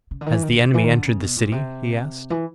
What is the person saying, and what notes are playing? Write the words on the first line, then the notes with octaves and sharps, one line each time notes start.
"Has the enemy entered the city?" he asked.
C#3
D3
D#3
E3
D#3
D3
C3
E3
D#3
D3
C#3
B2
A#2
C3
E3